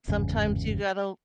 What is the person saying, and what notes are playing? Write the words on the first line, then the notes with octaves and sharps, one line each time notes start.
Sometimes you gotta
G1 E2 G#2 C#3